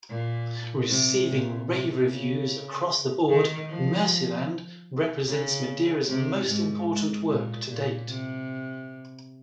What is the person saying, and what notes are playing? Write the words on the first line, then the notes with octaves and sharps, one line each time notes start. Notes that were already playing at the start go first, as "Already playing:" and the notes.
Receiving rave reviews across the board, "Mercyland" represents Madeira's most important work to date.
A#2
C3
A#2
C3
C#3
D#3
F3
C#3
C3
G#2
G#2
A#2
A#2
C3